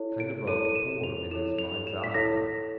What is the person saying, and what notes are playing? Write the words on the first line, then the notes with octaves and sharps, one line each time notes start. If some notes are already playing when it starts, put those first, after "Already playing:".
Kind of a form in his mind's eye.
Already playing: E4 A4 C#5
D7
E4 A4 C#5 D#7
D#7
E7
F7
E4 A4 C#5 E7
F7
E7
B6
E4 A4 C#5 A#6